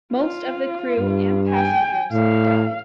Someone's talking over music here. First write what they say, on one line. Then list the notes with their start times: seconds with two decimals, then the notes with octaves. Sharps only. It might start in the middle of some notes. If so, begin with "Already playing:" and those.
Most of the crew and passengers died.
0.14 F4
0.99 G2
1.48 G5 G#5
2.13 A2 F5